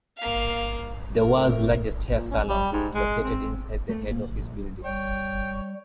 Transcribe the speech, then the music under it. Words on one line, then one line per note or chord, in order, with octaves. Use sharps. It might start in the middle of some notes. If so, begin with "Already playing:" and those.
The world's largest hair salon is located inside the head office building.
A#3 F5
A3 A#4
A#2
C#4
G3
G#2
G#3
C4
A3
A#2
D1
A#1
G3 C#5 G5